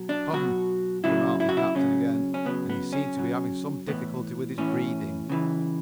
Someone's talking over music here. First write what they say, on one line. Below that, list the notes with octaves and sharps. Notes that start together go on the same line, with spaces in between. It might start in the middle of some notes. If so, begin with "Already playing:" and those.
"Hum," remarked the captain again, and he seemed to be having some difficulty with his breathing.
Already playing: B2 F#3
D4
B2 F#3 F#4
C#3 F#3 E4
E4
F#4
E4
C#3 F#3 C#4
C#4
C#3 F#3 B3
B3
C#4
C#3 F#3
A2 E3 B3
A2 E3 C#4
C#3 E3